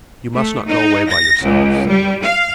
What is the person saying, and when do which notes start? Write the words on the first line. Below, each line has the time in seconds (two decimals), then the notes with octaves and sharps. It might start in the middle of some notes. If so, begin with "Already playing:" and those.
"You must not go away by yourself," said Lily.
0.33 A3
0.67 D#4
1.09 A#6
1.42 C#2
1.89 G3
2.23 F5